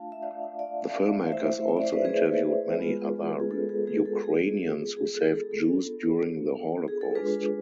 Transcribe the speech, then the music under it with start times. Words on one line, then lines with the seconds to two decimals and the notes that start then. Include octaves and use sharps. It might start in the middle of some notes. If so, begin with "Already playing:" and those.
The filmmakers also interviewed many other Ukrainians who saved Jews during the Holocaust.
Already playing: A3 D4 F4 F5 A5
0.12 E5
0.22 D5 F5
0.59 D5 F5
1.32 A3 E4 C5 E5
1.68 E5
1.77 D5
1.85 C5
1.93 B4 D5
2.05 G#4 B4
2.78 G#3 B3 F4
3.40 G#4
3.51 A4
3.69 G#4
3.87 G#4
4.05 A4
4.24 B3 F4 G#4
4.97 G#4
5.15 A4
5.33 G#4
5.51 A4
5.69 B3 D4 F4
6.88 G#4
7.01 A4
7.15 G#3 D4 F4 G#4 B4